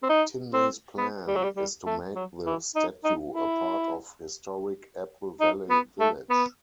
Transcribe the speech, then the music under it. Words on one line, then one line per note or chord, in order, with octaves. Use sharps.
Tinsley's plan is to make the statue a part of historic Apple Valley Village.
C4
D#4
C4
B3
G3
F#3
G3
G3
A3
F#3
E3
D#4
D#4
E4
D#4
B3
A3
B3